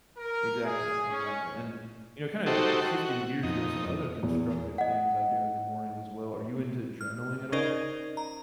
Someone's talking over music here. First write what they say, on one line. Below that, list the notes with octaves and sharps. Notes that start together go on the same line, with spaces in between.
Exactly, exactly, and, you know, kinda shifting gears, there are some other constructive things I do in the morning as well. Are you into journaling at all?
A#4
G#4
C#4
D#4 F#4 G4 A4 C5
F#4
F2 D#4
E2
D#5 F#5
F6
C#4 D#4 A#4 C5 D5 D#5
A#5